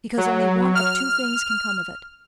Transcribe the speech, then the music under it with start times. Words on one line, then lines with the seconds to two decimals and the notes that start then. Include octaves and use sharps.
"Because only one of two things can come of it."
0.18 F#3
0.75 F6